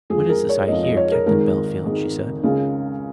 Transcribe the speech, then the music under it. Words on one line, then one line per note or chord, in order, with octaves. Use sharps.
"What is this I hear, Captain Bellfield?" she said.
F2 F3 G#3 G#4
A#4
C#5
F2 F3 G#3 D#5
D#5
C#5
A#4
G#1 G#2 D#3 G#3 A#4
G#1 G#2 D#3 G#3
C#2 C#3 G#3